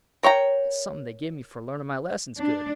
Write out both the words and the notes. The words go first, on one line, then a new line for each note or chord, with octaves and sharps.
"It's something they give me for learning my lessons good."
A#4 C#5 G5 A#5
D4